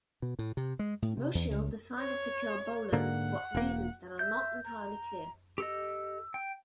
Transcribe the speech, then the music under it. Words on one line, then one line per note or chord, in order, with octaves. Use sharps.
Mosheel decided to kill Bolon for reasons that are not entirely clear.
B2
A2
C3
G#3
A2
C3
E2
C#2
C#5
G#2 D3 A#3 F#5
E1 A#3
E5 G6
A#5
G4 A4 D#5 E6
G5